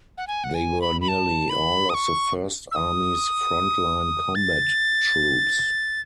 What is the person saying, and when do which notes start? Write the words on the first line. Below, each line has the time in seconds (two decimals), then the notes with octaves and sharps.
They were nearly all of the First Army's front-line combat troops.
0.18 F#5
0.27 G#5
0.44 F#5
0.54 G#5
0.81 B5
1.01 B5
1.08 A5
1.50 B5
1.90 D#6
1.94 C#6
2.72 E6
2.76 D#6
4.35 A6